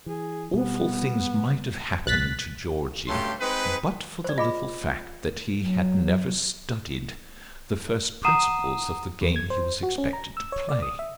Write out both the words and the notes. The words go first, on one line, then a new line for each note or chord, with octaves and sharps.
Awful things might have happened to Georgie but for the little fact that he had never studied the first principles of the game he was expected to play.
E3 G#4
B2 G3 B3
B1 F#6 A6 B6
G2 C#3 F#3 A3 G4 C6
G#3 C4 D#4 B4
C5 D5
F4 G#4 D#5 B5
F#3
F#5 A#5 D#6 C7 D#7 E7
E2
G#6
C5
F#4
C#4
A#5
E6
C#5
D5
D#6
E5